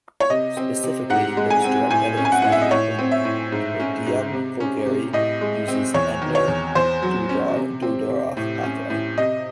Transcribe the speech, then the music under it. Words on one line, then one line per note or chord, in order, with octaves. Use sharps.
Specifically, there is direct evidence that "Hordeum vulgare" uses the Entner-Doudoroff pathway.
C#5
C3 D#5
C4
C3
G#2 F#5
G#3
G#5
C4
A2 G#5
C#4
G#5
F#5
A2 F#5
E5
D#5
A2 C#5
C4
E5
A2
G#2
C#4
G#2
C3
C#4
C3
A2 D#5
G#3
C4
E2 C#5
D#3
C#5
E2
E2 C5
F#3
C#4
C3
C4
C3
A2
C#4
A2
C3 D#5